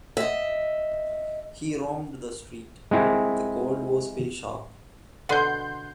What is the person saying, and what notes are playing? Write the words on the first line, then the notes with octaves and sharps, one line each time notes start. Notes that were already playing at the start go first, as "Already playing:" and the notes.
He roamed the street, the cold was very sharp.
D#5 E5
G#3 C4 E4
B2 D3 F#5 C6 G6